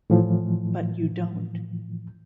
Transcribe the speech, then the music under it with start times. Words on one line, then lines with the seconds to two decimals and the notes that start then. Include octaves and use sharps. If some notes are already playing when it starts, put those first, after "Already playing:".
But you don't.
0.10 A2 E3 F3